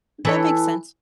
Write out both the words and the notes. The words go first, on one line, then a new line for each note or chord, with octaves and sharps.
that makes sense.
E3 A4 C#5